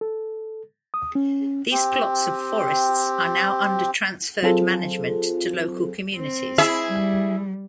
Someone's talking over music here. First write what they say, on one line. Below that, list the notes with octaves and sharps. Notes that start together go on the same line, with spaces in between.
These plots of forests are now under transferred management to local communities.
A4
D#6
C#4
C4 G4
F#3 C4 F4 G#4 A4 C5
C4
E4 G#4 E5
G3